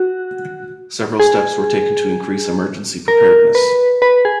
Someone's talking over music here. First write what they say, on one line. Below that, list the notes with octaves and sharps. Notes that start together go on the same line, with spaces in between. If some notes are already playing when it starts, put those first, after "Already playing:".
Several steps were taken to increase emergency preparedness.
Already playing: F#4
G#4
A#4
B4
B4
G#4